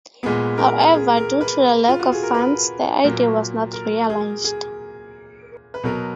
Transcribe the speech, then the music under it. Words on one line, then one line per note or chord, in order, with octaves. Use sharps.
However, due to the lack of funds, the idea was not realized.
A#2 G#3 B3 G#4
A#4
G#4
A#4
B4
F4
F#4
G#4
A#4
B4
A#2 F#3 A#3
A#4
G#4
G#4
B4
B2 F#3 B3 A#4